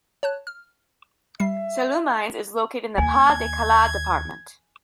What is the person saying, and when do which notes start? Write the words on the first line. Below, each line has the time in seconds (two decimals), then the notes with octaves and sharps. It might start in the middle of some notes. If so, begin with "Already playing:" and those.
Sallaumines is located in the Pas-de-Calais department.
0.23 C#5 A5 F#6
0.47 F6
1.40 G3 E5 C7
2.98 D#2 G#5 G#6